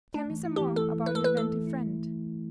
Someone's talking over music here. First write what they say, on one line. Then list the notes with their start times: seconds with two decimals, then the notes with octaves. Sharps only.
Tell me some more about your inventive friend.
0.14 A3 D4
0.30 E3
0.45 E4
0.56 E3 G4
0.76 A3 A4
0.91 E3
1.06 E4 B4
1.15 A4
1.22 E3 B4
1.37 A3 A4
1.53 E3
1.67 E4